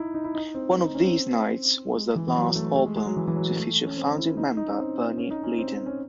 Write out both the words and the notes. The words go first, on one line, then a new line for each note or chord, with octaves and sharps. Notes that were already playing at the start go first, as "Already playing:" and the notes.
"One of These Nights" was their last album to feature founding member Bernie Leadon.
Already playing: D#4 E4
D#4
E4
D#4
C4
D#4
C#4
C4
G#3
E3
E3
F#3
A3
A3
G#3
G#3
F#3
E3
E3
F#3
A3
C#4
C4
E4
D#4
D#4
C#4
C4
C#4
D#4
C#4
C4
C#4